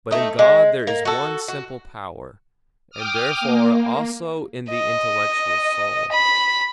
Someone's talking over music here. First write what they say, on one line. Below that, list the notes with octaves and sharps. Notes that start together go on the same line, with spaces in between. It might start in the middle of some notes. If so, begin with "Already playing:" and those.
But in God there is one simple power: and therefore also in the intellectual soul.
A3 D#4
G#3
A#3
F#4 A4
F#4
G5 D6 D#6 F6
A#3
D#5
B5